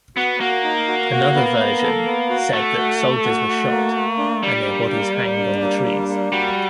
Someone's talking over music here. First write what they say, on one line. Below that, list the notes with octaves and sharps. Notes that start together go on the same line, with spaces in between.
Another version said that soldiers were shot, and their bodies hanged on the trees.
B3 F#4
A#3 F#4
D#4
F#4
F#4
B3
B3
A4
B3
F#4
A3 F#4
F#4
A4
F#4
F#4
A#3
A#3
D4
G3 D4
A#3
A#3
A#3
D4
A#3
D4
A#3
G3 F#4